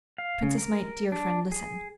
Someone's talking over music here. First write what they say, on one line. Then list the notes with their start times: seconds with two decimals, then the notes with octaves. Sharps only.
Princess, my dear friend, listen!
0.18 F5
0.43 C#3
0.58 A#4
1.12 D4
1.52 G#4